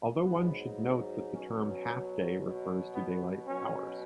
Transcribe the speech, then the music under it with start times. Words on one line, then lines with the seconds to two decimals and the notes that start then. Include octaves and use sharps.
Although, one should note that the term "half day" refers to daylight hours.
0.24 G#2 F#3 B3
1.32 B2 F#3 C#4
2.39 B2 F#3
2.92 B3
3.46 B2 F#3 C#4